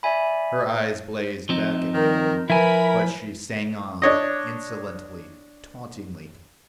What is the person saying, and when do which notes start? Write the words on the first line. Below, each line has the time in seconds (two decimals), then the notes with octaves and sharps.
Her eyes blazed back at him, but she sang on insolently, tauntingly.
0.03 D5 E5 G#5 B5
1.49 F3 C4 D#4
1.94 D#3 A#4
2.50 F3 E4 A#4 B4 G#5 B5
4.02 D4 C#5 D#5